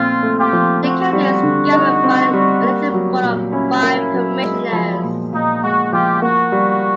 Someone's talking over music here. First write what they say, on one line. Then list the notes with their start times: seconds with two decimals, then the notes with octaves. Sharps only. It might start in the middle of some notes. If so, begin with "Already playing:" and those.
The county is governed by an elected board of five commissioners.
Already playing: A#2 F3 A3 C4 F4
0.23 A3
0.38 F4 G4
0.53 F3
0.83 C4 F#4
1.13 G3
1.43 D3
1.73 D#4
2.04 C4
2.33 G3
2.63 A#3
2.94 F#3
3.23 A#2
3.52 C#4 E4
3.83 A#3
4.14 F#3
4.43 G#3
4.73 F3
5.03 A#2
5.33 A#2 D#4
5.63 G#3 F#4
5.92 F3 F4 G4
6.22 A#3 F#4
6.52 G3